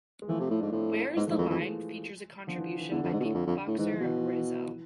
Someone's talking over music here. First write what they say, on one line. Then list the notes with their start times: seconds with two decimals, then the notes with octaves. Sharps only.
"Where Is the Line" features a contribution by beatboxer Rahzel.
0.22 G#3
0.28 E3 F3 A3
0.40 C3
0.51 A2
0.61 G#2 D4
0.72 A2 A3 C4
1.16 G#2 G#3 B3
1.27 F3 A3
1.30 G#2
1.38 F2 E3 G#3
1.49 F2 E3
1.60 E3 G#3
2.47 D3 F3
2.58 E3
2.80 E3
2.92 E2 D3
3.03 F2
3.14 G#2
3.20 B2
3.24 A2
3.35 F2
3.47 F2
3.67 A2
3.78 G#2 E3
3.93 F3
4.00 B2
4.06 E3
4.67 E3